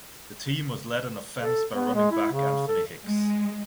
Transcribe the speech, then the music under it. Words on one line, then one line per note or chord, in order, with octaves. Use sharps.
The team was led on offense by running back Anthony Hicks.
A4
B3
G#3
E4
C#3
A4
G#3